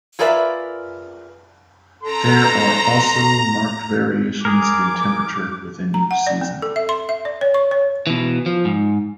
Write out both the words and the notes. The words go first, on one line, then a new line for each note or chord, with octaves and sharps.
There are also marked variations in temperature within each season.
F4 G#4 A#4 B4 D5 E5
A4 A#5 C6
G#4 A#4 D6
A#5
F#5
D5
C4
A4
E5
C6
E5
D5
C#5
C#6
C#5
B2 E3
F3
G#2